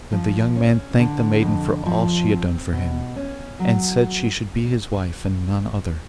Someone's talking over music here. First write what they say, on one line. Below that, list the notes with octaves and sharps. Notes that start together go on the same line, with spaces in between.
Then the young man thanked the maiden for all she had done for him, and said she should be his wife and none other.
F3
C#4
D3
F2
F3
C4
B2
C#4
F#3